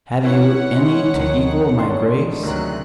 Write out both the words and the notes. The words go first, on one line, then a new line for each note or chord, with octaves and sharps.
Have you any to equal my grace?
C#4 E4 B4 C#5 F#5
E3 G#3
F1 D2 D#3 F3 D#4
D3 G#3 C#4 C6
D2 C3 D#3 F#3 F#6